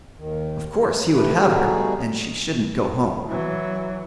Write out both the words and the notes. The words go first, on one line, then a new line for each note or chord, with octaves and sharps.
Of course he would have her, and she shouldn't go home.
D#2 D#3
E3
A3 G4 B4
G3 A3 B3 D#4 F#4 G#4
E3 F#3